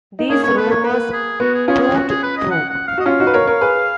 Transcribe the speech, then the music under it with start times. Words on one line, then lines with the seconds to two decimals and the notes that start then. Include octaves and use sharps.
These rumors proved true.
0.19 D#4
0.29 A#3 C#4 G#4
0.43 C#4 C#5
0.48 B3
0.57 B4
0.66 A#3 C#5
0.85 A#3 B4
1.13 G#4
1.40 B3 F#4
1.54 G#4
1.68 C#4 F4 G#4
1.82 G#4
1.95 F#4
2.09 G#4
2.23 B4
2.37 D#5
2.51 F#5
2.69 F#5
2.88 F5
2.98 F#4 D#5
3.06 C#4 F4 F5
3.20 D#4 F#4
3.27 B4
3.34 A#4 C#5
3.47 A#4 C#5
3.61 G#4 B4